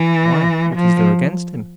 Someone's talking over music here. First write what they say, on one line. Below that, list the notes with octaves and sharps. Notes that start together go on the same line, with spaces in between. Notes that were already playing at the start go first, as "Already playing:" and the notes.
"Why, what is there against him?"
Already playing: E3
F3